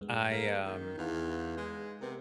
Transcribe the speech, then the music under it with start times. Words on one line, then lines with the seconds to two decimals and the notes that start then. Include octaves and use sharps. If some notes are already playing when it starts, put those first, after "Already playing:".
I, um,
0.01 G2 G#3 B3
0.31 A#3 G#4 G6
0.62 D#3
0.98 E2 D#4 B4 F5
1.57 G#3
2.01 C3 B3 A#4